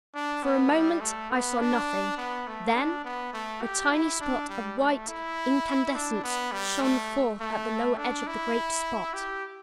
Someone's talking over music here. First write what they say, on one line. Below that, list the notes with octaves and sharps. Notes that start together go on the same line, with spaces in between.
For a moment I saw nothing--then a tiny spot of white incandescence shone forth at the lower edge of the great spot.
D4
B3
G3
A3
B3
D4
B3
A3
D4
B3
A3
G4
E4
D4
G3
A3
E4
D4
B3
G3
A3
A3
D4
E4
G4